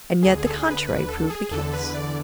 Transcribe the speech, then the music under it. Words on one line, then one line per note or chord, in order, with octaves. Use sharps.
And yet the contrary proved the case.
D2 D3 G#4
G#4
A4
G#4
B4
B4
A4
G#4
E2 D3 A4
B4
D5